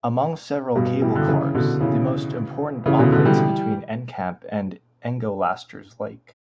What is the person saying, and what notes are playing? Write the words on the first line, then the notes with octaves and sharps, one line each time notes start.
Among several cable cars, the most important operates between Encamp and Engolasters Lake.
G2 B2
E3 G3
D3 F#3
C#3 E3
B2 D3
C#3 E3
C#3 E3
B2 D3
D3 F#3
E3 G3